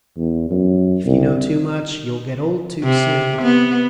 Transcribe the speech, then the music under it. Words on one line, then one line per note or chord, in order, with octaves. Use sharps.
"If you know too much, you'll get old too soon."
E2
F#2
C2
C3
B3